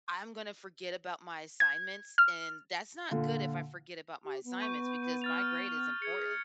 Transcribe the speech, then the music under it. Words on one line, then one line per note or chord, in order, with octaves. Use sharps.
"I'm gonna forget about my assignments," and that's not good if I forget about my assignments because my grade is important.
G#6
F6
A#2 D3 F4
G4
B3
C#6 G6 D#7
F6 A6 F7
F6
G#4 G#6 C#7